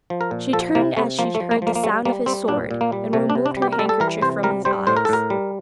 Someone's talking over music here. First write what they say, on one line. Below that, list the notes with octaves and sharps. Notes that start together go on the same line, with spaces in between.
She turned as she heard the sound of his sword, and removed her handkerchief from his eyes.
F3
A#4
A#2
F3 A4
C3 A#3
C3 A3
F3 A#3
A3
F3
A#3
F3 A#3
A#3
G3 A3
G3 A#3
G3 C4
A#2 D4
A#2
A#3
G3
C3 A3
D4
C3
D4
G3
G4
A#4
G3 A4
A4
E3 A#4
C3 C5
G3 A#4
G3 C5
A2 C5
A#4
A4
A2 A#4
G3